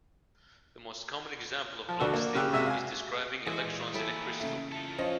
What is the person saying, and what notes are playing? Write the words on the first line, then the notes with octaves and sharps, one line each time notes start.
The most common example of Bloch's theorem is describing electrons in a crystal.
F3
D2 D4 F#4 A4 E6
A#3
C#3 G4 E6 F#6
C3 G#3 F#4 E5 E6
F5 G#5
E3 G#3 F#4 G#4
A#2
A#3 E4 A4 E5 G5
C#3 A3
F4 A4
F3 C#4 C5 D#5